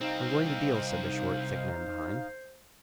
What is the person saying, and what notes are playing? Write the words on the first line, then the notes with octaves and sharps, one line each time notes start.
"I'm going to deal," said the short, thick man behind.
C2 C4 D#4 C5 F5